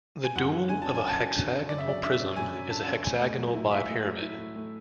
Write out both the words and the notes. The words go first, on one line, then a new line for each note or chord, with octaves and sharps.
The dual of a hexagonal prism is a hexagonal bipyramid.
G#5
F#2 F#5
F#3
D3 G#5
C#4 A5
G#5
F#2
A5
F#3 G#5
D3
C#4
F#2 D5
E5
F#3 D5
D3 E5
C#4
F#2 G#5
F#3
D3 A5
C#4
A2 G#5
A3
F#3
E4
A2 E5
A3
F#3
E4
A2
A3